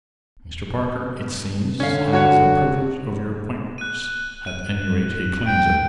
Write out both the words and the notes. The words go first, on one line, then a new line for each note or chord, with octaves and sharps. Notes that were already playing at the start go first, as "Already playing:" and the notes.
Mr. Parker, it seems, has the privilege of your acquaintance--at any rate he claims it.
D3 C#4 F5
F#4 C#5 F#5
F#6 D#7
F#6 D#7
G5 D7